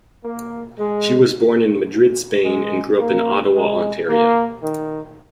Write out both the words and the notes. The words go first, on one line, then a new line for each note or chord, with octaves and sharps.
She was born in Madrid, Spain, and grew up in Ottawa, Ontario.
A#3
G#3
G#3
A#3
G#3
A#3
D#3